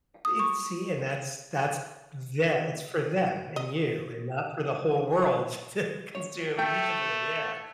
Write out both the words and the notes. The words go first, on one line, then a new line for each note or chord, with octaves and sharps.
It's see, and that's that's tha it's for them, and you, and not for the whole world to consume digitally, yeah.
D#6
C#6
D#5
C#5
A3 G5